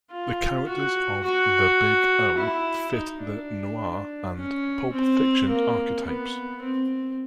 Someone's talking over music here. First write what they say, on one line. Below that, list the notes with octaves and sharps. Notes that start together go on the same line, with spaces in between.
The characters of "The Big O" fit the "noir" and pulp fiction archetypes.
F4
F#4
F#4
E4
D#4
D4
C#4
C4
A#3
B3
C4